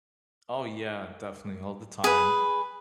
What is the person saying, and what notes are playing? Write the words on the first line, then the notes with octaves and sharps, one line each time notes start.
Oh yeah, definitely all the time,
G#4 B4